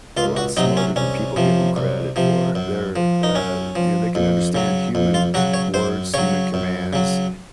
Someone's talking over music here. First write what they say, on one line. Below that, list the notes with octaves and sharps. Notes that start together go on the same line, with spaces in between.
a lot smarter than people give 'em credit for. They're, uh, you know, they can understand human words, human commands.
C#2 F4
F#4
C3 F#3 D#4
C#4
C2 C#4
C3 F3
C2
C3 F3
F#2
F3
D#4
F#2 C#4
F3
F2
C#3 F#3
F2
F4
C#3 F#3 F#4
C#5
F#2 C5
C#3 F#3 C#5
F#2
C#3 F#3